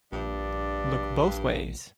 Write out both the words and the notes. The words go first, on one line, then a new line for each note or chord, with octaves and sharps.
Look both ways.
A#1 G2 D5